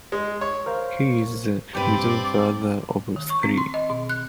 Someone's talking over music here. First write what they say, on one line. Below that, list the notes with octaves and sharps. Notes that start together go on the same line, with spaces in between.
He is the middle brother of three.
G#3
C#5
A#4 C5 F5
G2 C4 G4 B4 D5
D#3
C#6
C4
C6
D#5
B2
F#6